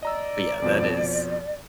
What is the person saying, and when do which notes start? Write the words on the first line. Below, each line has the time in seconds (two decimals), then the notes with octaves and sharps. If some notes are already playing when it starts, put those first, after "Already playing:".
but, yeah, that is
0.03 D5 D#5 A#5 E6
0.62 F2 B2 F3